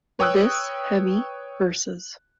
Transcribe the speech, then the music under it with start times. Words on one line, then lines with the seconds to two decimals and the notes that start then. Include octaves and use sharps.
This Hemi "vs".
0.19 B4 C#5 G5 D#6 E6 F#6